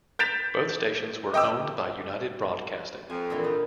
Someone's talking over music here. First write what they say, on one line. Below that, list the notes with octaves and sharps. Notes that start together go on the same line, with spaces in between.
Both stations were owned by United Broadcasting.
G6 A6 B6 D7 E7 F7
D#5 G5 D6 E6
F2 G#5
A#2 D3 E3
D3 D#4